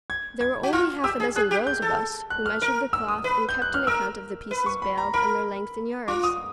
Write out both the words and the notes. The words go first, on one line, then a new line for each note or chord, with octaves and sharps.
There were only half a dozen girls of us, who measured the cloth, and kept an account of the pieces baled, and their length in yards.
G#6
G#6
F#4
F4 F6
G4 E6
G#4
G#4 F#6
G4
G6
A4
F#6
F6
A#4
E6
D#6
B4
G6
F#6
F6
A#4 E6
B4
C#6
B5
A#5
A#4 B5
F4 D6
D#6